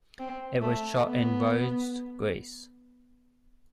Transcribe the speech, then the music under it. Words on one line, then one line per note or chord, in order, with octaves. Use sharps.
It was shot in Rhodes, Greece.
C4
A3
B3